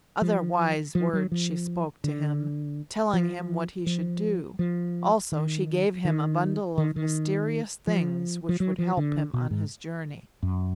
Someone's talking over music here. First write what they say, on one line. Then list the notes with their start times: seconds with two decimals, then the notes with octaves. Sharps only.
Other wise words she spoke to him, telling him what he should do; also she gave him a bundle of mysterious things which would help him on his journey.
0.22 F3
0.95 F3
1.13 F#3
1.32 F3
2.04 D3
3.13 F3
3.86 F3
4.59 F3
5.32 D#3
6.05 D#3
6.78 D#3
6.96 D#3
7.87 F3
8.49 F3
8.60 F#3
8.78 F3
8.97 D3
9.33 B2
9.51 G#2
10.43 F#2